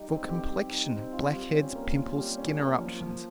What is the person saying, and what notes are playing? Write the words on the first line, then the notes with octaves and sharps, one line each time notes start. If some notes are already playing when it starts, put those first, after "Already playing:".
For complexion, blackheads, pimples, skin eruptions.
Already playing: G3 D#4 G4
C4
G4
G3
D#4
C4
F4
G3
C#4
A#3
F4
G3
C#4
A#3
F3
F3